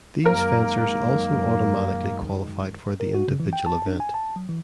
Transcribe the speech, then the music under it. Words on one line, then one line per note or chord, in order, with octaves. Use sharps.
These fencers also automatically qualified for the individual event.
F#2 D#3 G#3 A#3 A#4
A#4
F#4
C#3
E3
G5
A5
D4
G#5
A5
F#3
E3